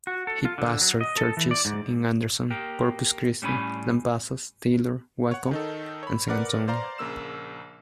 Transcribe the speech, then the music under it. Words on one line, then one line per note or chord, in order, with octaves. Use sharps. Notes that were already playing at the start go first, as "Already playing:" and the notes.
He pastored churches in Anderson, Corpus Christi, Lampasas, Taylor, Waco, and San Antonio.
F#4
A4
F4
D3
F#3
D#5
A4
E3
D5
G#2
A#3 G4
A2 G3 C#4 G#5 B5
C#5 F#5
D#3 D#4 A4
C#5 B5
A#4 B4 D5 F#5
C5 D5 F5 A#5 C6
A#1 C#3 A#3 E6 E7